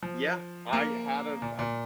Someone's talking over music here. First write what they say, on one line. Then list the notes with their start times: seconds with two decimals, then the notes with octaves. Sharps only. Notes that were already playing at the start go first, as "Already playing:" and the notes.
Yeah, I had a I d
0.03 F3
0.73 A#3
1.42 A#2
1.59 A#2